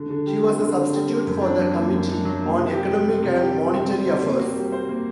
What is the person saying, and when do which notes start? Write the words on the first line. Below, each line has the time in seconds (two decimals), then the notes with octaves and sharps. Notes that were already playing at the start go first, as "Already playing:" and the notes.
She was a substitute for the Committee on Economic and Monetary Affairs.
Already playing: D3
0.10 D3
0.26 G3
0.43 C4
0.60 D3
0.76 D3
0.93 G3
1.09 C4
1.26 F#2
1.42 D4
1.59 F#3
1.75 A#3
1.92 F#2
2.08 D4
2.25 F#3
2.41 A#3
2.57 C3
2.74 G4
2.91 G3
3.07 C4
3.24 C3
3.40 G4
3.57 G3
3.74 C4
3.90 G3
4.07 C5
4.23 A#3
4.39 F#4
4.56 G3
4.72 C5
4.89 A#3